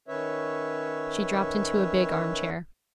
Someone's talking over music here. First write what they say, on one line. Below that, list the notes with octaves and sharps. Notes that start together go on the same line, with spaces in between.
She dropped into a big arm-chair.
D#3 C#4 B4 C#5 E5